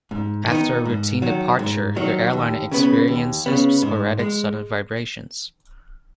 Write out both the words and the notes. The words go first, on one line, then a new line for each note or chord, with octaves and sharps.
After a routine departure, the airliner experiences sporadic sudden vibrations.
G#2
D#3 B3 D#4
G#2
D#3 F#3
G#2
D#3 F#3
D#2
C#3 B3
D#2
C#3 B3
G#2
G#3